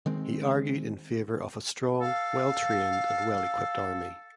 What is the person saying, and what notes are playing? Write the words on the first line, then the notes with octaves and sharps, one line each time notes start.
He argued in favour of a strong, well-trained and well-equipped army.
D#3 G#3 C4
A4 F5